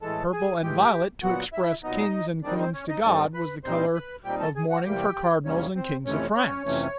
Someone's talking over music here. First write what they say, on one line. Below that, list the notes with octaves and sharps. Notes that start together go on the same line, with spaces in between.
Purple and violet, to express "kings and queens to God," was the color of mourning for cardinals and kings of France.
A2 E3 G#3 A4 A5
G#4 G#5
A2 E3 G#3 G4 G5
A#2 F#3 B3 F#4 F#5
E4 E5
A#2 F#3 B3 D#4 D#5
G2 D#3 G3 C4 D4 D#4 D5
C4 C5
C#4 C#5
D#4 D#5
G2 D#3 G3 C4 D#4 A4 A5
B4 B5
A#2 G3 C4 D#4 C5 C6
B4 B5
A#2 G3 C4 D#4 G4 G5
A4 A5
G#4 G#5
F#4 F#5
E2 C3 E3 G3 A#3 G4 G5
E2 C3 E3 G3 A#3 C#4 C#5
C4 C5
F2 C3 E3 A3 C#4 C#5
C#4 C#5
F2 C3 E3 A3 C#4